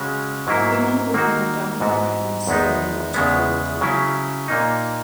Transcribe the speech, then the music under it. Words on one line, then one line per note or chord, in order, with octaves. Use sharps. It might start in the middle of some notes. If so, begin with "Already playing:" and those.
Women with an abdominal pregnancy will not go into labor.
Already playing: C#3 G#3 C#4 F#4
G#2 F#3 A#3 E4
D#3 A#3 D#4 F#4
G#2 E3 B3 F#4
E2 D#3 G#3 B3 D#4
E2 C#3 G#3 B3
C#3 F#3 C#4 E4
A#2 A#3 D#4